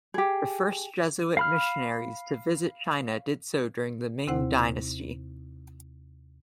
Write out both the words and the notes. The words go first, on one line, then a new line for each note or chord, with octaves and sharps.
The first Jesuit missionaries to visit China did so during the Ming dynasty.
G4 G#4
F5 B5 F6
D#2 C3 C4 E4 C5 F#5